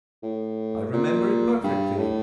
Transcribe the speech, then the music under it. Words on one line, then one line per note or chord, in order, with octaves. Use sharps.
"I remember it perfectly."
A2
A#2
G2
A2